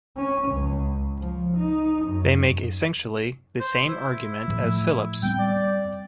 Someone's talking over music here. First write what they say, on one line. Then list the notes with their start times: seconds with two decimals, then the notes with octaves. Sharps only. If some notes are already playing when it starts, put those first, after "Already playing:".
They make essentially the same argument as Phillips.
0.17 C#4
0.49 C#2
1.19 F3
1.57 D#4
2.05 F#2
3.60 C5
3.89 E4
4.48 A2 F3
5.23 G3 B3 C4 G5
5.39 D5